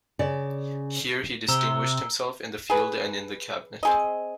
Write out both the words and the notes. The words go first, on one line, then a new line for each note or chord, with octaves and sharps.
Here he distinguished himself in the field and in the cabinet.
C#3 D5
C3 A#5 E6 G7
G#4 B4
C4 G#4 D#5